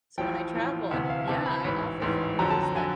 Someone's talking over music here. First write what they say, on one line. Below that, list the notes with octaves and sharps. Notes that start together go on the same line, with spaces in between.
so when I travel yeah, I oftern notice that
A1 A2 F3 G5
A1 A2 F3
D2 C3 E3 F#5
F5
D2 C3 E3 A5
B5
A1 G#2 E3 B5
A1 G#2 E3
F2 D3 F#3 A#5
A5
A#5
D3 F#3 G#5